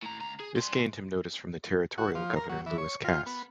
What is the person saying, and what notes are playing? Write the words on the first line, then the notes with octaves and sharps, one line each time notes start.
This gained him notice from the territorial governor, Lewis Cass.
A2 A#5
C#2 A#5
G#4
G3 C6
F#4
F3
A#4
F#3
E3
C#5
F4
B3